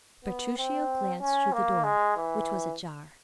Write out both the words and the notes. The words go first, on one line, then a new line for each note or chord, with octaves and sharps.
Bertuccio glanced through the door, which was ajar.
B3
C4
C#4
A#3
G#3
E3